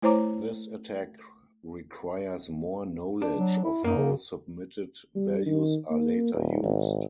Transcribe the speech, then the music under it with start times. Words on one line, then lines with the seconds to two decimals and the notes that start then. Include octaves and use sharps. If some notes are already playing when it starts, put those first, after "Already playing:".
This attack requires more knowledge of how submitted values are later used.
0.02 A3 E4 C5 C#5 A#5 D6
3.22 D4
3.37 F#3
3.64 E4
3.84 F#2 A#3 D#4
3.96 C#3
5.15 G3
5.46 D#3
5.90 A#3
6.34 D#1
6.63 G#1